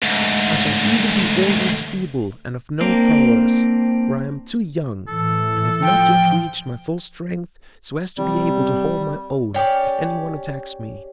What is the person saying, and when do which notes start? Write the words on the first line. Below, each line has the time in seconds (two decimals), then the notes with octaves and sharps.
I shall either be always feeble and of no prowess, or I am too young, and have not yet reached my full strength so as to be able to hold my own if any one attacks me.
0.02 D2 G#2
2.81 A#3 C4 D4
5.08 A2 E3 A4
5.82 F3 G5
8.18 C3 G3
9.54 C#4 G4 C#5 D5